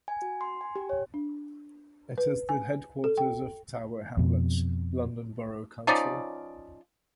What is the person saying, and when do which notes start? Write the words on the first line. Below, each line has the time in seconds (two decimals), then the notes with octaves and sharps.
It is the headquarters of Tower Hamlets London Borough Council.
0.08 G#5
0.22 F#4
0.41 C6
0.61 G#5
0.76 G4
0.89 C#5
1.14 D4
2.18 B4
2.49 G#5
3.04 A4
3.18 G5
4.17 F2 B2
5.87 F3 C#4 D#4 D5